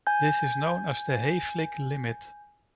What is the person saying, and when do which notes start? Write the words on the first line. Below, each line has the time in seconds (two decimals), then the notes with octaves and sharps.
This is known as the Hayflick limit.
0.07 G#5 G6